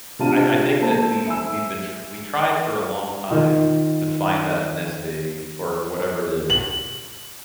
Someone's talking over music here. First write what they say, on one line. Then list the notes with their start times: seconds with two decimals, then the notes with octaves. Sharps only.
I I think that we we've been tr we tried for a long time to find that nest egg, or whatever it is.
0.19 C3 D4 F4 A5 D#7
0.81 A#3 A4 C5 A5
1.26 E5 G#5 E6
3.31 D#3 F4
6.50 F#7